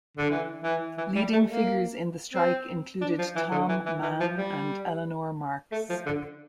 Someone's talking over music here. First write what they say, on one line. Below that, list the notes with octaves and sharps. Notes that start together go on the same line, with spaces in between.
Leading figures in the strike included Tom Mann and Eleanor Marx.
D3
E3
E3
E3
G3
A3
A#3
C4
D4
F3
E3
D3
E3
E3
E3
F3
G3
A3
F3
D3